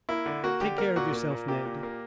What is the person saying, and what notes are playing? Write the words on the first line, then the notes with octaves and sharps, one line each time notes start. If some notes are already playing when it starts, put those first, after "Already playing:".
"Take care of yourself, Ned."
A#3 E4
D3
A#3 F#4
D3 G4
A#3 A#4
A#2 F#4
A#3
A#2
A#3 G4
A#2
A#3